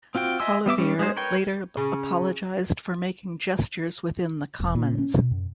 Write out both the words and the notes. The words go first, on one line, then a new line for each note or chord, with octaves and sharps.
Poilievre later apologized for making gestures within the Commons.
C4 F4 F#4 G5
D#5 E5 G#5 C6 E6
G3 B3 E5 D6
G3 C#4
G#3 D#4 C5
A#4 B4 C#5 G5
C#3
E1
A#2
C#4
B2
F#2